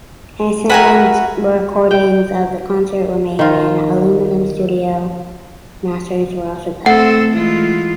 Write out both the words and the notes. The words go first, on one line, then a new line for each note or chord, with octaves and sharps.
Acetate recordings of the concert were made, and aluminum studio masters were also cut.
F#4 A#4 B4 E5 G#5 B5
G5
D#3 F4
A3 C4 A4 F#5
E3 G#3 F4